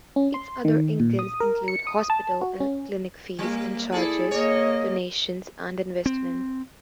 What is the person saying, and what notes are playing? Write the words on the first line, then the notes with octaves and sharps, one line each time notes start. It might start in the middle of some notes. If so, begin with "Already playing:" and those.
Its other incomes include hospital and clinic fees and charges, donations, and investment.
C#4
C6
D#3
A#2
D#6
A#4
C#7
D#6
A5
F#4
C#4
G3 A#3
E4 G#4 A4 D5
A#3 C#5 D#5
C4